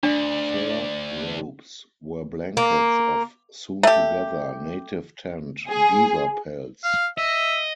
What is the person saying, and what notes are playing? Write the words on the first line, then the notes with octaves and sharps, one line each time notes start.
Fur robes were blankets of sewn-together, native-tanned, beaver pelts.
D2 D4 D5
A#3
A3 G4
G#4
F5
D#5 E5